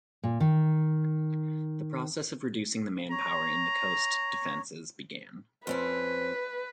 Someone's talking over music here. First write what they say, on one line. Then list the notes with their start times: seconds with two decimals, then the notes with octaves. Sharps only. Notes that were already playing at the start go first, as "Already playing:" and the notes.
A process of reducing the manpower in the coast defences began.
0.24 A#2
0.40 D#3
3.12 C#5 A#5
5.67 F2 C4 C#4 B4